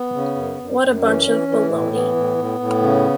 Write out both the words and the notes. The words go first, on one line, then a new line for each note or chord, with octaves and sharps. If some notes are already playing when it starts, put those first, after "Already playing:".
What a bunch of baloney!
Already playing: B3
C#3
F#2
F#2
F#2
E3 C#4
E3
E3
A2
E3 B3
A2
A2
A2
C#3